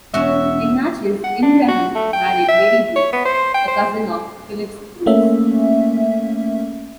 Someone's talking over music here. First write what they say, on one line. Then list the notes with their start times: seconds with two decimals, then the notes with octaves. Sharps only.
In Natchez, Ingraham married Mary Brooks, a cousin of Phillips Brooks.
0.14 E1 C#4 F#4 E5
1.24 F#5
1.43 D4
1.68 F#4
1.95 A3
2.13 G5
2.49 E5
2.96 C#5
3.12 B3
3.26 C5
3.54 G5
3.68 C5
5.06 A3 A#3 C#4 E5